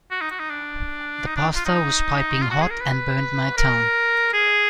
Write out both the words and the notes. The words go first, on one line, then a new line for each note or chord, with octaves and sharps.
The pasta was piping hot and burnt my tongue.
F#4
D#4
F#4
D#4
D4
D#4
D4
F4
D#4
F4
F#4
G#4
A#4
B4
A#4
G#4